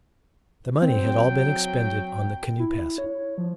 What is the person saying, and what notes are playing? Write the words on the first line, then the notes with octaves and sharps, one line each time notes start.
The money had all been expended on the canoe passage.
F#3 C4 G5
E4
C#5
F3